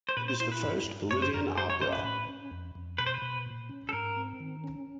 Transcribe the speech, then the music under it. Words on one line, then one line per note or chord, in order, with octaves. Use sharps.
It is the first Bolivian opera.
C5
A#2 B4
C5
E4 C5
B4
G2
G2
F#2 C#5
C5
F#2 A#4
G2 C5
C#5
C#4 C5
B4
A2
C#4
F2
F2
B2 B4
C5
B4
B2
A#2
C#4
A4
G#2 A#4
C4
D#3
C#4